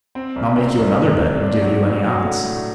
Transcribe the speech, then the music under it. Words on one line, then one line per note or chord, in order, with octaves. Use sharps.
"And I'll make you another bet, and give you any odds."
C4
C2
C4
C2
A3
C4
D4
F#3
F#3
F#3
A3
A2